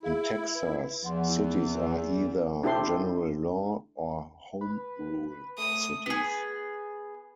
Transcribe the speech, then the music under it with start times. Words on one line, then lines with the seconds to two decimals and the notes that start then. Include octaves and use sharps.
In Texas, cities are either "general law" or "home rule" cities.
0.03 E4 G#4 F5
0.55 B4
1.03 E2 F3 F#5 C6
1.28 E4
2.63 D4 E4 G4 A4 C5 C6
4.61 B4
5.58 A3 D#6
6.06 B3 G#4